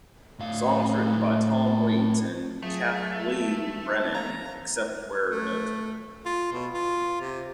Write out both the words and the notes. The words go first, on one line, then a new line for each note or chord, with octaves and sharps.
Songs written by Tom Waits and Kathleen Brennan, except where noted.
A2 F5
F#3 A3 F4 G#4
A4
F5 A#5
A3
F4
B2
F4
C3